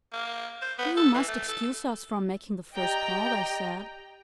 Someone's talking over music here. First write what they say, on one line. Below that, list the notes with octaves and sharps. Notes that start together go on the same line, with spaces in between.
"You must excuse us from making the first call," they said.
A#3
C5
B3
A4
E3
A3
A4
G4 D5 D#5 G5 A#5